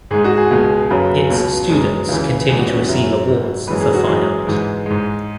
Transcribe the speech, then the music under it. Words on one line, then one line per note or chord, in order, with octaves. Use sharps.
Its students continue to receive awards for fine art.
G#2 G#3 G#4
F#4
G#4
C#2 B2 G#3
F#2 C#3 F#3 B4
C#2 B2 F#3
F#2 E3 G#3
C#2 C#3 E3
E2 E3 G#3 G#4
F#4
C#4
C#4
F#2 F#3 E4
G#2 F#3
F#2 E3 G#3 B4
G#4
F#4
F#2 E3 G#3 G#4
G#2 E3 G#3
G#2 G#3